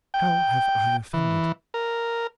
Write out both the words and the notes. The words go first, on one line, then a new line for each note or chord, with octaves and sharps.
"How have I offended?"
G5
E3
A#4